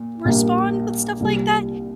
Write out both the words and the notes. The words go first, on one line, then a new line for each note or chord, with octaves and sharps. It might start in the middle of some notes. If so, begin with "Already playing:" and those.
respond with stuff like that.
Already playing: A#2
A#1 A#2 G3 A#3
C2 A#2 G3